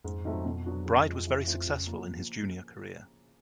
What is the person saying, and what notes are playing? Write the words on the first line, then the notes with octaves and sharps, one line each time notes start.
Bryde was very successful in his junior career.
F2 G#2
D#3 F#3 A3 C4
B2
F#3 B3 D4 F#4
C#3
F3 G#3
E3
A3 C4 F4
E2 C#3
F2
F3 A#3